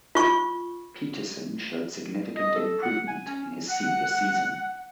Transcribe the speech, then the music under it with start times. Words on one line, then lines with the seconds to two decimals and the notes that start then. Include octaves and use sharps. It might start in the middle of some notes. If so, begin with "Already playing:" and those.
Peterson showed significant improvement in his senior season.
0.15 F4 C#6
2.36 D#5
2.56 A4
2.83 F#5
3.08 G#5
3.28 C#4
3.70 F#5